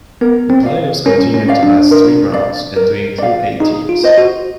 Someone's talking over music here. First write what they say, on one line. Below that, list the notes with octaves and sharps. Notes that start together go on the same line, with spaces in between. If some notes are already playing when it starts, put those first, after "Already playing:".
The playoffs continued to last three rounds and to include eight teams.
B3 A#4
C4
D5 F5
C#4 A#4
C#4
D5 F5
D4
A#4
D5 F5
A#4
D5 F5
D#4 G#4
F4
C5 D#5
F#4